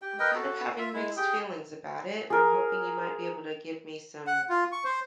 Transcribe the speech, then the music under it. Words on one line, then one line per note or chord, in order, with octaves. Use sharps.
I'm kind of having mixed feelings about it. I'm hoping you might be able to give me some
G4 G5
A#4 B4 D#5 G5
F#4 A4
F4 E5
G#3 E4
G4 G#4 G5
G#4 A#4
F#5
F4
C#6
C5